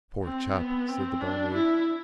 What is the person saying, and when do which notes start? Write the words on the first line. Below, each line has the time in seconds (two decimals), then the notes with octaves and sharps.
"Poor chap!" said the barmaid.
0.23 C4
0.56 B3
0.88 C4
1.20 D4
1.54 E4